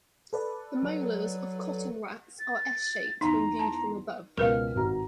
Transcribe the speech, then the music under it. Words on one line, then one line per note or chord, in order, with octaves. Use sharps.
The molars of cotton rats are S-shaped when viewed from above.
A4 B4 D5
F#3
A6
E2 D#4 A#5 C6
A5
C#2 B2 A#4 B4 F5 F6
G#1 F#4 A#5